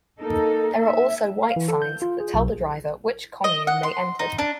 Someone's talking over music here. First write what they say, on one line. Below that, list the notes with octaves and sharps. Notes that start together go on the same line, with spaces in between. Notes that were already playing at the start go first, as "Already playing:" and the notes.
There are also white signs that tell the driver which commune they entered.
A#3 D#4 A4 A#4
E5
F5
E3
A4
G6
F4
G#4
B1
D#5
F#5
C6
D#4
D4